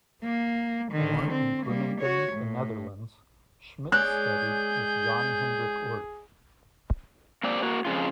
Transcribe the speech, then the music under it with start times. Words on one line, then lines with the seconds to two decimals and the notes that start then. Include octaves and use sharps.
Born in Groningen, The Netherlands, Schmidt studied with Jan Hendrik Oort.
0.24 A#3
0.92 D3 D#3
1.31 C4
1.66 G3 A#3
2.01 F#4 C#5
2.33 A2
3.92 G#3 G#4 C#5 D5 F#6 G6
7.43 A#3 C4 G4 D5
7.62 A#3 F#4
7.85 F2 C#3 F4